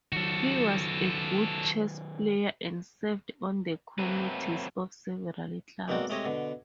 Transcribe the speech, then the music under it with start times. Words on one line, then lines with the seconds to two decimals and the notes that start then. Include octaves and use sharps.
He was a good chess player, and served on the committees of several clubs.
0.13 D#3 F#3 F#4 A4
3.99 F#3 A3 A#3 C4 B4
5.88 B1 G#3 A#3 C4 F#4 D5
6.10 G#3 A3 C4 G4 C#5 D#5
6.25 B2 D3